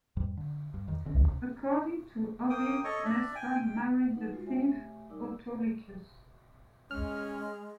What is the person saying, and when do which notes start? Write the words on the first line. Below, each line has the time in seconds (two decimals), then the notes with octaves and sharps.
According to Ovid, Mestra married the thief Autolycus.
0.17 E2 G#2 G3
0.37 D3
0.74 G2
0.88 E2 D#3
1.05 E1 D3 C#4
1.28 C#2 C3
2.50 A#3 G5 D#6
2.84 A4 C#5 D#5 C#6
3.05 D4 D5 E5
3.35 G5 G#5
3.61 G5
4.14 D#4 B4 F#5
4.32 G#3 F4 F#4
4.47 A3 G4 C#5 E5 G#5
5.09 G3 D#4 A#4 D5 D6 E6
6.91 G#3 C#4 F6